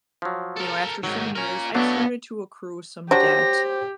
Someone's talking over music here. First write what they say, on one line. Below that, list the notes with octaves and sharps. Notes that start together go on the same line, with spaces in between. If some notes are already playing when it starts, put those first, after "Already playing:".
you know, after so many years, I started to accrue some debt,
F3 F#3
A4 A#4
G#2 D#3 F#3
C#4 F4 A#4 A#5
F#3 A3 B3 D4 D5 F5
F#3 D4 G4 C5 A#6